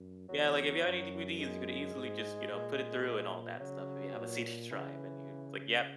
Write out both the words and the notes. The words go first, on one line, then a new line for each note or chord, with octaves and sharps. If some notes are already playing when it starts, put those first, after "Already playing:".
yeah, like, if you have anything with these, you could easily just, you know, put it through and all that stuff if you have a CD drive, and you'd like, "Yep,"
Already playing: F#2
E2 F#3
F#2
G#3
G#2
A#2
C#3 F#3
A#2
C#3 E3